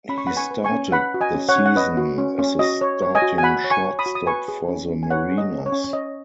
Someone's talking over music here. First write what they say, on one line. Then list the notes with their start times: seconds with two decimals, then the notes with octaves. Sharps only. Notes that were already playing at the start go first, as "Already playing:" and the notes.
He started the season as the starting shortstop for the Mariners.
0.09 C#4 B5
0.18 C#6
0.27 F#5 B5
0.31 B4
0.37 G#5 C#6
0.51 B4
0.64 G#5 C#6
0.72 C#4
0.92 B4 F#5 B5
1.14 F#4
1.21 D#5 G#5
1.34 C#4
1.49 C#5 F#5
1.56 C#4
1.66 F#5
1.76 B4 D#5
1.97 F#4
2.18 C#4
2.39 C#4
2.59 F#4 D#5
2.81 C#5
3.02 C#5
3.15 D#5 G#5
3.22 F#4
3.38 G#5
3.43 F#4 F#5 B5
3.64 C#5
3.71 G#5 C#6
3.85 C#5
3.99 B5 D#6
4.06 F#4
4.15 D#6
4.27 B4 G#5 C#6
4.48 G#4
4.68 C#4
4.89 C#4
5.03 G#5
5.10 B4 C#5 F#5
5.31 G#4
5.38 D#5
5.51 C#4
5.66 C#5
5.72 C#4
5.93 C#5 D#5